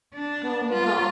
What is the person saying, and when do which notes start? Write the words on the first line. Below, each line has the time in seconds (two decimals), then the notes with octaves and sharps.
Oh, no.
0.15 D4
0.72 G3 F4